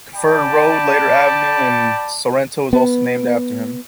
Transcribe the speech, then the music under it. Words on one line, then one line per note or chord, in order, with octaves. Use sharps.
Kerferd Road, later Avenue, in Sorrento is also named after him.
D5 G5 A5 B5
B3